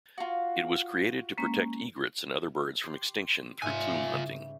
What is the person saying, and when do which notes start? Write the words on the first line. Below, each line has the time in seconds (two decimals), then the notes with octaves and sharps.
It was created to protect egrets and other birds from extinction through plume hunting.
0.18 F4 F#4
1.38 G#3 A#3 C#4
2.84 G4 C6
3.62 G#2 F4 B4 E5 G#5
4.09 C#3 G3